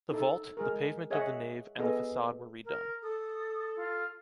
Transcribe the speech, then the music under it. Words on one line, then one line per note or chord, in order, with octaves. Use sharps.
The vault, the pavement of the nave and the facade were redone.
D#4 A4
G#3 G#4 A#4
G#4 C#5 D#5 E5 F#5
B3 F#4 G#4 A4 D#5
A#4
A4 D#6
F4